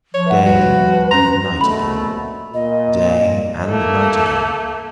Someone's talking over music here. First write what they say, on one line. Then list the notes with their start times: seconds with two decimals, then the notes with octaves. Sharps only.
DAY and night again, day and night again.
0.14 F3 C#5
0.26 B4 E5 F#5
0.46 D#2 G3 F#4 B4
1.11 C#4 A#5 C6
1.61 A#1 B2 A3 B5
2.53 A#2 D#5
3.68 A3 A#3